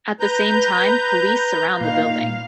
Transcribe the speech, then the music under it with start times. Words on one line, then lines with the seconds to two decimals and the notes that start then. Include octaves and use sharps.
At the same time, police surround the building.
0.20 B4 A#5 G6
1.80 A#2 D#4 F5